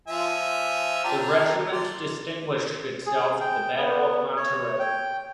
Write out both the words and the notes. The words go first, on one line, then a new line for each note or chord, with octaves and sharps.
The regiment distinguished itself at the Battle of Monterrey.
F3 E5 G#5
D4 G4 A#5
D5 C6
G#4
G5
B3
C#5
G5